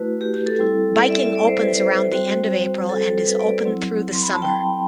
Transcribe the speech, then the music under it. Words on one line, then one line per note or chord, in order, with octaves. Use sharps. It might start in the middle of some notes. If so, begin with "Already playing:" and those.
Biking opens around the end of April and is open through the summer.
Already playing: A3 E4 F#4 B4
G4
G4
A4
G3 C4 E4
D5
E5
E5
D5
C5
B4
C5
G3 C4 F#4
A4
B4
D5
F#3 C4 E4
C6
B5
A5
G5